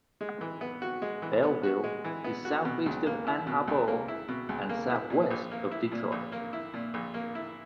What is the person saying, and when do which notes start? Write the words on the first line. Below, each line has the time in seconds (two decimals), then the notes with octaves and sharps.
Belleville is southeast of Ann Arbor and southwest of Detroit.
0.21 G#3
0.41 E3
0.61 B3
0.82 F#4
1.02 G#3
1.22 E3
1.43 B3
1.64 F#4
1.84 G#3
2.04 E3
2.24 B3
2.45 F#4
2.65 B2
2.86 C#2
3.06 A#3
3.27 E4
3.47 B2
3.68 C#2
3.88 A#3
4.08 E4
4.29 B2
4.49 C#2
4.69 A#3
4.90 E4
5.10 A#2
5.31 A#1
5.51 A#3
5.71 E4
5.92 A#2
6.12 A#1
6.32 A#3
6.53 E4
6.74 A#2
6.94 A#1
7.14 A#3
7.35 E4